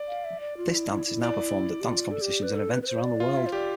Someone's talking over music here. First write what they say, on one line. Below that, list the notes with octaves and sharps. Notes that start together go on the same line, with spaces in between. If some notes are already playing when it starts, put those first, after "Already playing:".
This dance is now performed at dance competitions and events around the world.
Already playing: D5
F5
E5
D5
F4
E4
E4
E4
D5
G4
F4
A4
G4
B4
A4
B4
B4
C5
D5
F4
F5
E5
C5
G4 D5